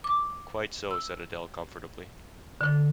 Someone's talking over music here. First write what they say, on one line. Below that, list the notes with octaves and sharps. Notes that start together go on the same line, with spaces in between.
"Quite so," said Adele comfortably.
D6
E6
D3